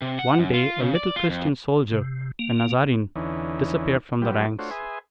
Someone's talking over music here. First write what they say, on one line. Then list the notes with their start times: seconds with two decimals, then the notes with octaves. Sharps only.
One day a little Christian soldier--a Nazarene--disappeared from the ranks.
0.02 C3
0.19 F#5
0.39 F#2
0.54 F4
0.80 C#3
0.95 D5
1.16 F4
1.29 F2
1.92 C3
2.39 A#3
3.16 E2 D3 E3 C#4 D#4
4.22 F#3 G3 B3 F4 G4
4.59 A3 D4 F4 F#4 C5 C#5
4.71 G#4 B4 E5 G#5 C6 D#6